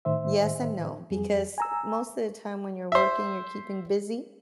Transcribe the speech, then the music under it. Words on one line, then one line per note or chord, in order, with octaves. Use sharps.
Yes and no, because most of the time when you're working, you're keeping busy,
A2 D#3 C5 E5
F2 G3 G#4
G#5 A#5 E6
C5 E5